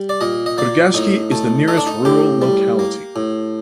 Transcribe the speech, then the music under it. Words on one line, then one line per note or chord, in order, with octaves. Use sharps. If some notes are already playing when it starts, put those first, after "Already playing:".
Kurgashki is the nearest rural locality.
Already playing: G3
D5
A#2 D#5
D#5
A#3 D5
A2 D#4
A3
A3 D#4
D4
D#4
A2 G4
G3
A#3
A2